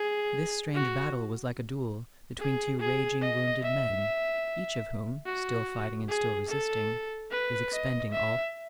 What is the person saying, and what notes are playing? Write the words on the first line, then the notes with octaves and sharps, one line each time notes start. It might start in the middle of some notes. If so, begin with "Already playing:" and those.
This strange battle was like a duel between two raging, wounded men, each of whom, still fighting and still resisting, is expending all his blood.
Already playing: G#4
F#4
G#4
G#4
D#5
E5
F#4
G#4
A4
B4
D#5
E5